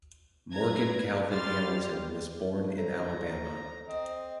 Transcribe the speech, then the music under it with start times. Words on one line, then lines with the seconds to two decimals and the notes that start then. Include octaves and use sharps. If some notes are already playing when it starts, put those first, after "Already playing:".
Morgan Calvin Hamilton was born in Alabama.
0.51 B4 A#5 G#6
1.31 G3 C6 F6 A6
2.78 A4 C5 A#5
3.89 C4 D#5